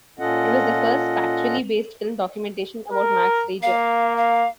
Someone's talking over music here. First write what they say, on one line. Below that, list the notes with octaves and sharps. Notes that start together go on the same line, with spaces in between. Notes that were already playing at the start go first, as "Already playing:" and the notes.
It was the first factually based film documentation about Max Reger.
A#2 C#4 F4 A4 D#5 F#5
A#4
A#3 F5
F5